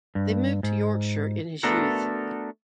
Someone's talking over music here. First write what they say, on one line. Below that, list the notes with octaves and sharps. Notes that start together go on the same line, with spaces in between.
They moved to Yorkshire in his youth.
G2
G#2
A3 B3 D4 F#4 A4 A#4